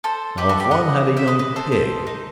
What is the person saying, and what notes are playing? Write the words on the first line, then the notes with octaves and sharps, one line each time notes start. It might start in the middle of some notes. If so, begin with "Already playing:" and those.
Now, if one had a young pig!
A4 C5
G4 B4
F#4 A4
G4
D#5 F#5
C5 E5
B4 D#5
B4 D#5
A4 C5
A4 C5
D#4